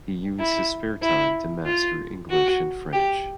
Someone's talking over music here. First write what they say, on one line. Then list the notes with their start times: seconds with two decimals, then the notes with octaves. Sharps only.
He used his spare time to master English and French.
0.39 E4
1.02 E4
1.66 F4
2.30 F#4
2.93 G4